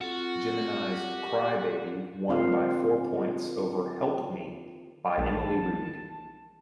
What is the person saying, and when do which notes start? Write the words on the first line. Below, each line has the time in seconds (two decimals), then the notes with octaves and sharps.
Jemini's "Cry Baby" won by four points over "Help Me" by Emily Reed.
0.01 C4 F4 F#4 A4
0.86 G4
2.29 D3 C4 F4 A#4 C5 F5
5.18 A#1 E3 G#3 A#4 A5